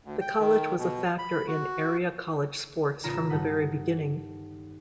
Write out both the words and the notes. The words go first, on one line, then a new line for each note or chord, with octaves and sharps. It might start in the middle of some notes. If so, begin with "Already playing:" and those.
The college was a factor in area college sports from the very beginning.
D2
G5
D#3
B2
B5
F#4
A1 C#3 F4 A#5 E7
G2 D#3 A4 F#5 D#6 B6